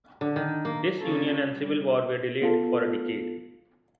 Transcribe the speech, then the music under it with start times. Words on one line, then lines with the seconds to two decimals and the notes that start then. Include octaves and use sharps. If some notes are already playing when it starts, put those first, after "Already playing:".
Disunion and civil war were delayed for a decade.
0.21 D3
0.36 D#3
0.65 A#3
1.02 C#3 A#3 C#4 F4 A4
1.39 G3
2.42 B3 F4 A4